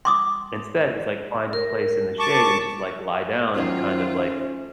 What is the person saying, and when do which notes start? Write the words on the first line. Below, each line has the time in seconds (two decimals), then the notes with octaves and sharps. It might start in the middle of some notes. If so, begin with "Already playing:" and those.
instead was, like, find a place in the shade and just, like, lie down and kind of, like,
0.05 C6 D6 D#6
1.53 A#4
2.19 A5 C#6 D6
3.54 D#3 F#3 A3 C#4 D#4 F4 C5